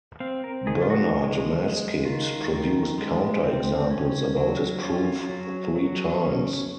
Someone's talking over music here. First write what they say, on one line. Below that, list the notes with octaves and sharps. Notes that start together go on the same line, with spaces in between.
Bernard Maskit produced counter examples about his proof three times.
C4 F5
A#4
D#3 G#4
F4
F#4
G#3
G#3
D#3 F4
D#3
G#3
C4
C#4
F#3
C#4 F4
F#3
F#3
C#4